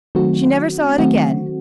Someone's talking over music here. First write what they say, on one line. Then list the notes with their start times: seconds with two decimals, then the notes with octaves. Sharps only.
She never saw it again.
0.15 D#3 F#3 A3 C4 F#4
0.98 D#3 F#3 A3 C4 F#4